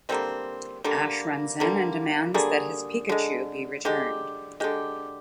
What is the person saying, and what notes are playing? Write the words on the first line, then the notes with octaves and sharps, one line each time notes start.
Ash runs in and demands that his Pikachu be returned.
D3 G3 A#3 C4
D3 G3 A#3
D3 G3 A#3
D3 G3 A#3 G#4
D3 G#3
D3 G#3 G4
D3 G#3 G4